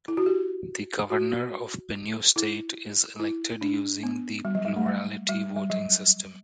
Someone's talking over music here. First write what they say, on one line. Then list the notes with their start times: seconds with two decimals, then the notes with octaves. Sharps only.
The Governor of Benue State is elected using the plurality voting system.
0.08 E4
0.17 F#4
0.26 G4
1.10 F#4
2.36 E4
3.19 E4
3.61 D4
4.03 B3
4.45 G3
4.55 F#3
4.65 G3
4.76 A3
4.86 G3
5.29 G3
5.56 G3
5.70 F#3